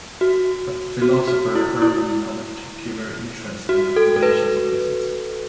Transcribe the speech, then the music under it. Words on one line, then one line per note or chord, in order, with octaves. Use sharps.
As a philosopher, Hermann had a particular interest in the foundations of physics.
F#4
F#4
F#4
E4
E4
F#4
A4
A4
B4